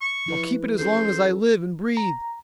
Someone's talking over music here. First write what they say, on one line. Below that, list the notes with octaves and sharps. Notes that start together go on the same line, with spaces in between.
"I'll keep it as long as I live and breathe."
C#6
F3 E4 B4
C#4 G#4 A4 C5
A#5